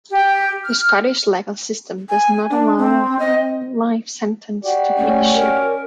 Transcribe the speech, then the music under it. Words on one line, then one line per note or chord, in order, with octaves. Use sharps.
The Scottish legal system does not allow a whole life sentence to be issued.
G4
F6
G#5
D4
C4
D#5
F#4 G4 D5
A3 C#4
A#4